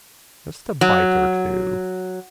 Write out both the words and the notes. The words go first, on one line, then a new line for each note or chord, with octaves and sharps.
Just a bite or two.
F#3